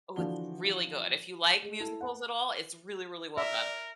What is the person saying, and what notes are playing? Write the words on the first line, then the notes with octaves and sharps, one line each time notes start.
oh, it's really good, if you like musicals at all, it's really, really well done.
D3 E3 F3 D4 F#4 G7
G#3
E4 A4
F#5 A5
A#4 D5 E5